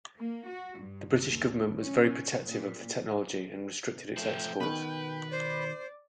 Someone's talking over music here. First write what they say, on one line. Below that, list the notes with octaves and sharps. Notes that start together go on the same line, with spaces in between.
The British government was very protective of the technology and restricted its export.
A#3
F#4
G2
D#2
C#4
A#2
F3 A3 G5
B2 D#3 B4
C5 D5